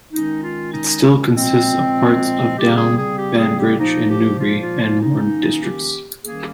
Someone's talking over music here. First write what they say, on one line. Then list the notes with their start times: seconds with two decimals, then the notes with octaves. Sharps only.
It still consists of parts of Down, Banbridge and Newry and Mourne districts.
0.12 D#3 G#3 C#4 D#4
0.43 F4
0.73 D#4
1.35 A#2 F3 G#3 C4
2.56 C#3 G3 C4 G4
2.77 G#4
2.97 G#4
3.17 G4
3.37 G#4
3.58 G4
3.78 A#2 F3 A#3 D#4
4.09 G4
4.40 F4
4.60 F4
4.80 F4
5.01 D#3 A#3 C#4 D#4
5.62 G4
6.23 D#3 G3 A#3 C#4 G#4